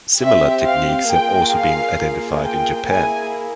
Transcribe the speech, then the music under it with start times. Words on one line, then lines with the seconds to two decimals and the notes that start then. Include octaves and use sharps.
Similar techniques have also been identified in Japan.
0.20 C4 G4 E5
0.65 F5
1.09 A#3 F4 G#4 G5
1.53 F5
1.98 A#3 F4 G#4
2.43 G5
2.86 A#3 E4 G#4 G#5